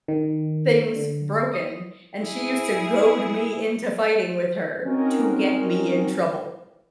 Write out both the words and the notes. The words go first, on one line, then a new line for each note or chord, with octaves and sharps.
things broken, and she used to goad me into fighting with her to get me in trouble.
D#3
D3
D#6
E4 G#4
C4 C#4 D#4 F#4 A#4